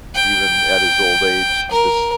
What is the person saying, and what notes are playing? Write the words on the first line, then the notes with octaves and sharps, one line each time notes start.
even at his old age, he just
G5
A#4